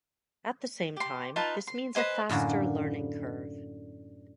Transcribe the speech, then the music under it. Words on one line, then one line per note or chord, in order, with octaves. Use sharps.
At the same time, this means a faster learning curve.
G4 C6
D#4 F4 B4 A5
C6
B4 C5 D#5 G#5
F#2 A2 D3 A#3